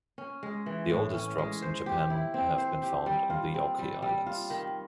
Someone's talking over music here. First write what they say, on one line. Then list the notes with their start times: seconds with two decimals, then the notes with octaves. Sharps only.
The oldest rocks in Japan have been found on the Oki Islands.
0.18 C#4
0.43 G#3
0.66 E3
0.90 A2
1.14 C#4
1.38 G#3
1.62 C5
1.86 G4
2.10 E4
2.34 C4
2.58 C5
2.82 G4
3.06 G3
3.30 F4
3.54 C4
3.78 G3
4.02 G3
4.26 F4
4.50 D#3